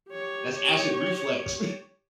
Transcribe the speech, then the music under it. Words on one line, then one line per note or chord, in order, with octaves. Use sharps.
That's acid reflex.
G4 C#5